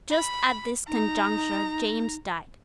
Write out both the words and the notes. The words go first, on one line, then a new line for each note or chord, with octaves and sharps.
Just at this conjuncture James died.
B5
D#4 A#5